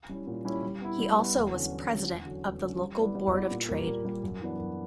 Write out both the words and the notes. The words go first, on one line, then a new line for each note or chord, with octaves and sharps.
He also was president of the local Board of Trade.
G3 C#4 E4
A#2
G3 C#4 E4
G3
B3 E4
G3
B3 E4
E2
D3 F#3 C#4
E2
D3 F#3 C#4
E2
D3 F#3 C#4
E2
D3 F#3 C#4
G3
B3 E4 B4 D5
G3
B3 E4 B4 D5
A#2
G3 A#3
A#2
G3 A#3
F#2
E3 B3 D4
F#2